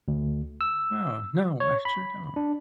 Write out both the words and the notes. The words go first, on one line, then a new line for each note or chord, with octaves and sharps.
Wow, no, I sure don't.
D2
E6
C#5
B5
D4